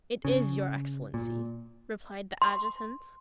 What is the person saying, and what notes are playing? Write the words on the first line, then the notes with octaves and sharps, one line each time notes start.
"It is, your excellency," replied the adjutant.
C#3
A#2
C6